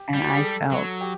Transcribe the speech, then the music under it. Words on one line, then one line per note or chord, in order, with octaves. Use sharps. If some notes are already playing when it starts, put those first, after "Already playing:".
and I felt
Already playing: G4
G3
F#4
G4
G#4
A4
F#3
G4